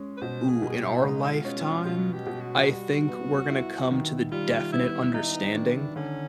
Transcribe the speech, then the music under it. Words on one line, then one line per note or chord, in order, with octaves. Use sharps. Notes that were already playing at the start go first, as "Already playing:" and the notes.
Ooh, in our lifetime, I think we're gonna come to the definite understanding
Already playing: G#3 C#4
B4
B2 C5
G#4
B2
G4
E4
G#3 D#4
F4
C#4
F4
B2 F4
G4
B2
F#4
G3
B3
E4
D#3
G3 F4
B3 E4
D#4 E4
D#3 D4
D3 C#4